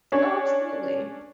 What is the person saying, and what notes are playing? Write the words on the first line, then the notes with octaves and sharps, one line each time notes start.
Oh, absolutely.
C#4 D4 C#5